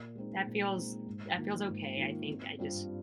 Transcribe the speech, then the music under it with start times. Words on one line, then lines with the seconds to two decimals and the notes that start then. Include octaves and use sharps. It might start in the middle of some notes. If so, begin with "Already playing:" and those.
that feels that feels okay I think I just
Already playing: A#2
0.15 G#3 C4 D#4
0.46 A#2
0.77 G#3 C4 D#4
1.07 G#2
1.37 D#3 A#3 F4
1.68 G#2
1.97 D#3 A#3 F4
2.28 G#1
2.59 G2 G3 C4 F4